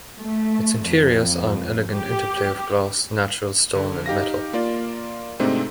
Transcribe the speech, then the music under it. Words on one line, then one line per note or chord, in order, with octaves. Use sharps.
Its interiors are an elegant interplay of glass, natural stone and metal.
A3
F2
G4
D3
D#4 G4 F5 A#6
A#3 F4 D5
G#2 C3 A3 C4 D4 D#4